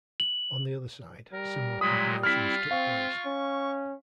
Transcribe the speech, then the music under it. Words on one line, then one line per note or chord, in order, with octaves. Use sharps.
On the other side, similar preparations took place.
F#7
G3 A#4
A#2 F#3 G#3 B5 D#6
C4 E4 F4 F6 B6
C4 F5 C#6
C#4